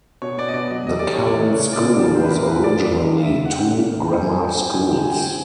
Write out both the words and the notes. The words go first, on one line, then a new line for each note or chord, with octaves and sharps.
The current school was originally two grammar schools.
B2 C#5
B3 D5
D#5
B2 D5
F#3 D#5
C3 D#5
G3 D5
C#5
A#3
D5
E3
C#3 C#5
A#3
D5
C#3
D5
F3
A#2 C5
B4
A3 A#4
A#2 B4
F3 D5
D#3 D5
A#3
D#5
D#3
F5
E5
F#3
C#3 F#5
G5
G3 F#5
A#3
E3
A2 G5
A3 G#5
G5
A2
G#5
F#3 G5
D3 G#5
G#3 G5
G#5
D3
G5
F3 G#5